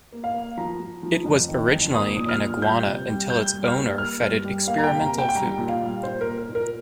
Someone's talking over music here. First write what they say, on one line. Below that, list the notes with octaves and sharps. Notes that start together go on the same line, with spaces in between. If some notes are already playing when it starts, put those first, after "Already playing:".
It was originally an iguana until its owner fed it experimental food.
A#3
F5
A#3
F3 A#5
F3
F3
F2
D#3
F2
A#3 D#6
A#2
F6
A#2
G3 G6
C3
G3
G3 G6
G3
F6
A#3
A#3 F6
G2
G3
A#3 F5
A#5
G5
C3
A#5
A#3
G5
G5
G3 A#5
A#2
F5
G3
A#2 C5
A#4
A#3
A#4
A#2
A#4